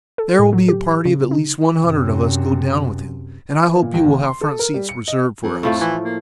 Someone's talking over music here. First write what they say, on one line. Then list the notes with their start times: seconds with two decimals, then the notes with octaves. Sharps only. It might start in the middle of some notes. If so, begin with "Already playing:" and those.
There will be a party of at least one hundred of us go down with him, and I hope you will have front seats reserved for us.
0.18 A4
0.39 A2
0.53 F#3
0.68 G4
1.05 C#3
1.31 D#4
1.82 F#2 C3
3.68 E3
3.82 A#2
3.94 D#2
4.06 D#2
4.24 C6
4.41 A4
4.59 A#4
4.74 G3
4.89 C#7
5.08 D#5
5.43 F2
5.63 A2 F3 A3
5.81 E3
6.05 A#3